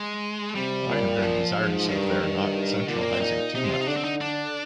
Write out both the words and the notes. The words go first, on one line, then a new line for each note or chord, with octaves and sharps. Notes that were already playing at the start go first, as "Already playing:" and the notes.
I am very desirous of their not centralizing too much.
Already playing: G#3
C3 G3
A#2
F3
G#2
G2 D#3
G2
A#2 D3
A#3
C4
D#4
C3 D#4
G#3
F4
D#4
D3 D4
C4
D#4
D4